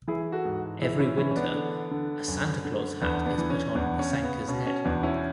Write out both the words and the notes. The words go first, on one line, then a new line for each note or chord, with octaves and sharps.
Every winter, a Santa Claus hat is put on "Posankka"s head.
E3 E4 G#4
F#4 A4
G#2
E3 E4 G#4
C#4 E4
E3 C#4 E4
C#4
B3 D4
D3
D3
F#2
D3
E2 B3 D4
B3 D4
E3
C#4
E2 B3 D4
C#4
C#3
B3
B2 C#4
C#4
E2 B3 D4
C#4 E4